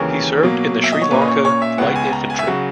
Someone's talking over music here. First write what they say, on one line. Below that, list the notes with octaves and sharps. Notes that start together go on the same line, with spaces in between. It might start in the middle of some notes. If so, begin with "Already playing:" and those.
He served in the Sri Lanka Light Infantry.
Already playing: D#2 C#3 E3 G#3 C#4 A#4
B2 F#3 A#3
E5
D#5
C#5
A#2 A#3 C#4 B4
D#5
C#5
C#5
E5
C#2 C#3 G#3 B3 F#5
G#5
A#5
G#5
E5
C#3 F#3 F#5